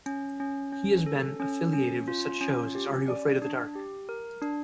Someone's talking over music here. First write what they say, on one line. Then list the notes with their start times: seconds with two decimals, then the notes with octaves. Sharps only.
He has been affiliated with shows such as Are You Afraid of the Dark?
0.06 C#4
0.40 C#4
0.73 C#4
1.06 A4
1.40 C#4
1.73 C#4
2.08 F4
2.41 C#4
2.75 G4
3.08 D5
3.42 D4
3.75 G4
4.09 A#4
4.42 D4